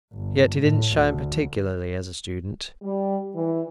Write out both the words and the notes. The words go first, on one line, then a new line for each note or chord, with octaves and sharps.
Yet he didn't shine particularly as a student.
G1
A2
D2
G3
E3